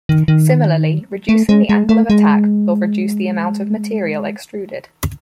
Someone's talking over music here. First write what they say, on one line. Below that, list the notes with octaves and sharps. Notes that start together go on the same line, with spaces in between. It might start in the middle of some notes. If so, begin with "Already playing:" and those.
Similarly, reducing the angle of attack will reduce the amount of material extruded.
D#3
D#3
A3
G#3
G#3
A3
G#3